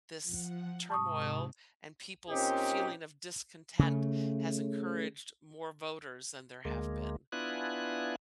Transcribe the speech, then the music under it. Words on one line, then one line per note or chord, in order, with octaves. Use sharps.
this turmoil and people's feeling of discontent has encouraged more voters than there have been,
F3 F#5
G#2 C3 A5 C#6 D#6
A#2 C4 C#4 D#4 G4
C#3 A3
D2 G#3 A#3
B3 D4 E4 F4 G#5 F#6